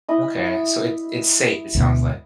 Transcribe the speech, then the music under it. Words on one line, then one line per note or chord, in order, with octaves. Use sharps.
Okay. So it it's safe, it sounds, like.
E4 D#5
D2 G#2 B2